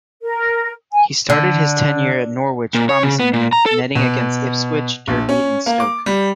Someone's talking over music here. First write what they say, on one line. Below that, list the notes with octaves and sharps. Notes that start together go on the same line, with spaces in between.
He started his tenure at Norwich promisingly, netting against Ipswich, Derby and Stoke.
A#4
G#5
D3
A#2
C#5
C#3
B3
A#2
A#5
A4
B2
A#1
C#4
A#3
D6
G3